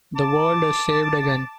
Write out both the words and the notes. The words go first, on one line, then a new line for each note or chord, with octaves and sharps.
The world is saved again.
A5 D6